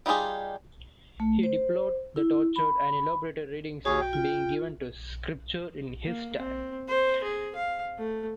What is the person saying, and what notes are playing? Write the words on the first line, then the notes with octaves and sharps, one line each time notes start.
He deplored the tortured and elaborated readings being given to Scripture in his time.
G3 D#4 F4 G4 G#4
A3
C5
E4
B5
D#2 F#4 G#4 C#5
G5
F4
A#3
C4
C5
G#4
F5
A3